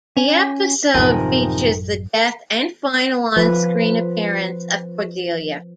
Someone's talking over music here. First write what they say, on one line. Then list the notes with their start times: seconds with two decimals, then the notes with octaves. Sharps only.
The episode features the death and final onscreen appearance of Cordelia.
0.17 C#4 G#5
0.95 A1 F#2 C3 D#3 F3 A#4 G#5
3.37 F3 B4